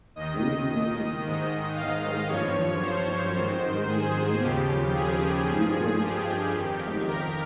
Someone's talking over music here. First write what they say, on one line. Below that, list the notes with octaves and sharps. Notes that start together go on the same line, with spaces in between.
Wolverines have also been known to kill Canadian lynx in the Yukon of Canada.
D#2 D#3 D#5
G#2 D#3
F5
G2 F3 C#5
C5
G#2 D#3
G#4
D#2 C#3 F3 G4
G#4
G2 F3
G4
F2 D#3
A#4